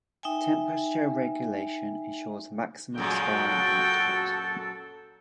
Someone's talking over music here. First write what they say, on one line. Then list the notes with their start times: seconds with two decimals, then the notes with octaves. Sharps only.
Temperature regulation ensures maximum sperm output.
0.23 D#4 E5 G5 G#5
2.98 F#2 A#2 G#3 F#4 A4 G5